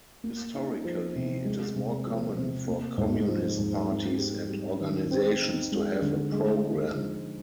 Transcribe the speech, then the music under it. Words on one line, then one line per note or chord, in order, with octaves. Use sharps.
Historically it is more common for communist parties and organizations to have a program.
A#3
D#4
F3
C3
G#3
C3
F3
C3
A#3
G#2
F3
G#2
C4
G4
G3
D#3
C4
D#4
G#3
D3
G#3
D#4
F3